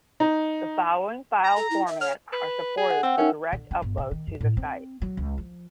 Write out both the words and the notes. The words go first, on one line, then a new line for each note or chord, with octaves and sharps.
The following file formats are supported for direct upload to the site.
D#4
A#5
A4
E4
E5
C#5 F6
B4
G#4
F#5
C4 F#5 G5 E6
C#4 D#4 A#4 E5
D3
C#4
G1
C3
D#3
F#2
A2
C4
F#3
C#2
F3